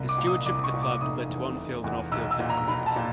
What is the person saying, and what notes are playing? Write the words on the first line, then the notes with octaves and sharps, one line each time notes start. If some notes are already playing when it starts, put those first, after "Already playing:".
His stewardship of the club led to on-field and off-field difficulties.
Already playing: C2
D6
A#2
D#6
C2 D6
C#6
A#2
D6
F1 D#6
E2
F1
E2
B1 E6
E6
A#2
A#5
B1 B5
A5
A#2